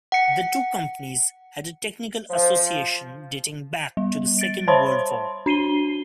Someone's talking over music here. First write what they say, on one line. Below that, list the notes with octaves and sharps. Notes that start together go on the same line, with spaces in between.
The two companies had a technical association dating back to the Second World War.
F#5 C#7
F3 C5
G3
A6 D7
C5 C#5 A5 B5 C6
D4 C7 D#7 G7